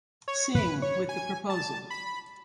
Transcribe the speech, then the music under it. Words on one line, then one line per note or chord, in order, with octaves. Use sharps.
Singh with the proposal.
C#5
B4
C#5
G#5
A5
B5